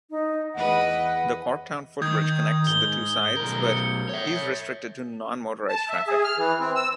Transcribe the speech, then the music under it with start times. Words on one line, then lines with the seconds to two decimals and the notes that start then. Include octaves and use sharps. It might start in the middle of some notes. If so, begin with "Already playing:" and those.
The Corktown Footbridge connects the two sides, but is restricted to non-motorized traffic.
0.10 D#4
0.54 E2 B4 D#5 F#5
2.02 D#3 D#6 G6 G#6
2.67 G#2 G7
3.37 B1 A#4
3.69 C#7
4.09 C#5 E5
5.69 A5
5.90 E5
6.07 G#4
6.24 F6
6.37 E3
6.60 C4
6.76 E6